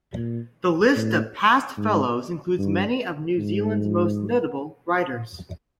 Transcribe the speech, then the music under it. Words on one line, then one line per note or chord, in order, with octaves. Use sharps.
The list of past fellows includes many of New Zealand's most notable writers.
A#2
A2
G#2
G2
G#2